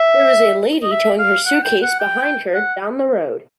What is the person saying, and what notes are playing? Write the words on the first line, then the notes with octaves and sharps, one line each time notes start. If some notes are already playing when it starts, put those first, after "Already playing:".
There is a lady towing her suitcase behind her down the road.
Already playing: E5
D#5
E5
F5
F#5
G5
F#5
G5
F#5